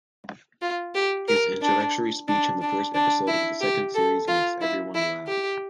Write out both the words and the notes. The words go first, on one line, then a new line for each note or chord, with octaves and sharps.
His introductory speech in the first episode of the second series makes everyone laugh.
F4
G4
A#4
D4
D4
D4
D4
E4
G4
A4
F4
E4
E4
G4